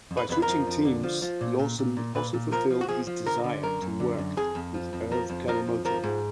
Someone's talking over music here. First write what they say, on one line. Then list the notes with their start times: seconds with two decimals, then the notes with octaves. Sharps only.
By switching teams, Lawson also fulfilled his desire to work with Erv Kanemoto.
0.11 F2
0.17 B4
0.29 F2 B4
0.42 A#4
0.48 F3
0.67 F2
0.85 D3
1.03 F3
1.22 F3
1.41 A#2
1.59 A#2
1.78 A#2
1.97 A#2
2.15 A#2 B4
2.34 A#2
2.52 F3 A#4
2.70 F3
2.81 F#4
2.89 F3 G#4
3.07 F3
3.26 D3 A#4
3.44 D3
3.63 F#2 A#4
3.82 F#2
4.00 D3
4.18 F#2
4.37 F2 G#4
4.55 F2
4.74 F3
4.93 F2
5.11 F3 A#4
5.30 F2
5.48 F3 A#4
5.67 F2
5.85 F3 A#4
6.04 G#2